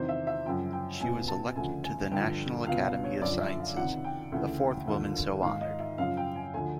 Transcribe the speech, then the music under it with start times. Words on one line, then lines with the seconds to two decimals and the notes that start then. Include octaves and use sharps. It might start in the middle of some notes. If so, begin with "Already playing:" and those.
She was elected to the National Academy of Sciences, the fourth woman so honored.
Already playing: E2 C3 D#3 C5
0.09 E5
0.27 E5
0.45 F#2 C#3 F3 G5
0.73 G5
1.00 C#2 B2 G#5
1.28 A5
1.56 D2 C#3 F3 G#5
1.84 G#5
2.11 G2 D3 F3 G5
2.67 C#2 B2 F5
2.85 F5
3.04 C#5
3.21 F#2 D3 F3 D5
3.40 E5
3.59 F5
3.77 C#2 C3 D#3 F#5
4.04 G5
4.32 D2 C#3 E3
4.88 D#2 D3 F3
5.43 G#2 D#3 F5
5.61 D#5
5.80 E5
5.98 F#2 C#3 F3 F5
6.17 G5
6.35 G#5
6.54 D2 D3 F3 G#5